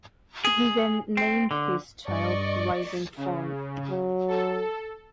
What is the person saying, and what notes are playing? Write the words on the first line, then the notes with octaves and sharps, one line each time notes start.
He then named his child Rising Fawn.
G#4
C4
D3
G2 D5 D#5 C#6
C#3
F#3
A4